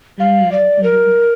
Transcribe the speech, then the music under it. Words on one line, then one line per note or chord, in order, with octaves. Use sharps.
Mm, mhm.
F5
D5
A#4